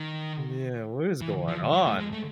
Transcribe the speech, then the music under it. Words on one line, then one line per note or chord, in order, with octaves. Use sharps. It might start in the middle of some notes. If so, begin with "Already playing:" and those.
Yeah, what is going on?
Already playing: D#3
E3
F3
F#3
A3
G#3
A3